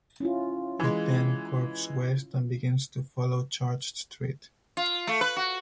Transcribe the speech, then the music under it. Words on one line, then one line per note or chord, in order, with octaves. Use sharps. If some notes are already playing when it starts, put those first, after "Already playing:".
It then curves west and begins to follow Church Street.
C#4 E4 F4
E3 G#3
F4
A3
B4
F#4